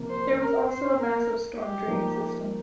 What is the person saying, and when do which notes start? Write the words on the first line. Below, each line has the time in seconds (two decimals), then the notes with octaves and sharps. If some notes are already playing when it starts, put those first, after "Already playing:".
There was also a massive storm drain system.
Already playing: C3 F3 A#3
0.09 C5
0.40 A#4
0.69 C5
0.99 A#4
1.58 G4
1.87 F3 A#3 D#4